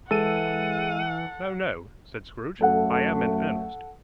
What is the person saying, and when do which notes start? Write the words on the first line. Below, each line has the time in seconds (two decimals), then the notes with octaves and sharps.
'No, no,' said Scrooge. 'I am in earnest.
0.11 E3 G#3 A4 F#5 D#7
2.61 F#2 A3 A4 F#5